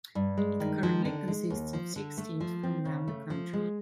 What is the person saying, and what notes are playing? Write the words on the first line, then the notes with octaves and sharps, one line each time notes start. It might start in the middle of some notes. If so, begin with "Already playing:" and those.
It currently consists of six teams from around the country.
G2
G#3
D#3
F3
D3
G#3
D#2
F3
D3
A3
F3
C4
C#3
A3
F3
G#3